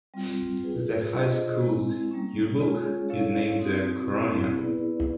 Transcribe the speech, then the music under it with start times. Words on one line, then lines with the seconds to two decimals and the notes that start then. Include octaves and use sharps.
The high school's yearbook is named the "Coronian".
0.14 G3 C4 F4
0.63 F4 G#4 B4
1.12 D4 F4 G#4 C5 D#5
1.61 G#3 C4 E4
2.11 G3 A#3 C#4
2.60 G#3 C#4 F4 G#4 C#5
3.09 C#4 E4 A4 C#5 F5
3.59 C4 D#4 F#4
4.08 C4 E4 G4
4.57 B3 E4 G#4 B4 D5